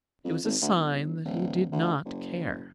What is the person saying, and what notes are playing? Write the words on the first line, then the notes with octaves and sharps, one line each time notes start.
It was a sign that he did not care.
F2
G#1
D2
G1
D1
D2
F#1